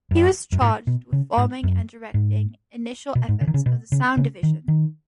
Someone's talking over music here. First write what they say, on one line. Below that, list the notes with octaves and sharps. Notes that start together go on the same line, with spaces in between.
He was charged with forming and directing initial efforts of the Sound Division.
F#2
F#2
G#2
B2
C#3
G#2
F#2
G#2
B2
G#2
C#3
D#3
C#3
B2
C#3
C#3
D#3
D#3